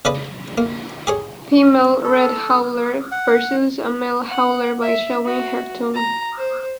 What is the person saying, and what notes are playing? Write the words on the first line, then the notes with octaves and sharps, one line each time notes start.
Female red howler pursues a male howler by showing her tongue.
C#3 B4 D5 D#5 B5
A#3
G4 G#4 C#5
A4
F#5
F#5
E5
F#4
A#5
C5